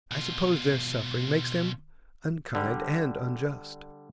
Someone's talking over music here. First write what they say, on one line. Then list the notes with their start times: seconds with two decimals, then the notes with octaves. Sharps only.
I suppose their suffering makes them unkind and unjust.'
0.11 B2 F4
2.55 D3 G3